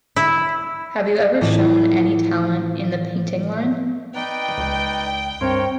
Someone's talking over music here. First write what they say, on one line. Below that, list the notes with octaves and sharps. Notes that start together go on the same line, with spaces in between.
Have you ever shown any talent in the painting line?
E4
A2 E3 F3
D#4 B4 D5 G5
C#2
G2 C4 A#4 C#5 C6